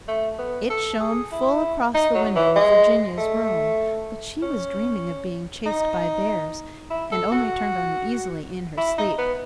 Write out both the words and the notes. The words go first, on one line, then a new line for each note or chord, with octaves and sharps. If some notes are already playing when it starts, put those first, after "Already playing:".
It shone full across the window of Virginia's room, but she was dreaming of being chased by bears, and only turned uneasily in her sleep.
A3
B3
A4
G#4
E4
D#4
F#3
E3
G#3
A3
C#4
D#4
E4
A4
F#4
E4
D#4
B3